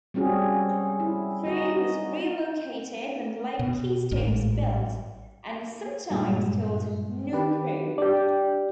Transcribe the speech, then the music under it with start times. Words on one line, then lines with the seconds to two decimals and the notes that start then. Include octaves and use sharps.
Prue was relocated when Lake Keystone was built, and is sometimes called "New Prue".
0.14 G3 C4 C#4 F#4 G#4
1.00 E4
1.45 D#4 F#4 D#5
3.59 B2
4.11 A1 G#2
6.10 G2 A#2 G#3
7.32 D#3 G4 B4
7.98 D4 G4 D5 G5